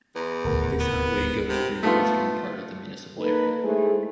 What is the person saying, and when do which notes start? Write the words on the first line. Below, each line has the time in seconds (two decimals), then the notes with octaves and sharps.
This highway goes through the western part of the municipal area.
0.16 E2 B4 A#5 C6
0.45 D#1 D2 A2 A#4 F#5
0.80 B3
1.49 C3
1.83 A3 B3 F4
3.19 A#3 D#4 A4 B4
3.63 G#3 A3 E4 G#4 A4 C5